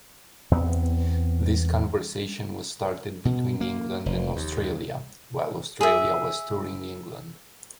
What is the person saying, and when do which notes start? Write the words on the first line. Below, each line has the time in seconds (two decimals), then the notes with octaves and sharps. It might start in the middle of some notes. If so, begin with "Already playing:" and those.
This conversation was started between England and Australia, while Australia was touring England.
0.51 E2 B3 C4
3.25 B2
3.61 A#3
4.06 F1
4.36 D#2
5.81 G#4 E5